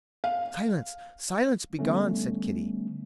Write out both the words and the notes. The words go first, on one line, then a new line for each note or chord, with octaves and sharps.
"Silence, silence, begone!" said Kitty.
F5
D3 G3 A3 B3 C#4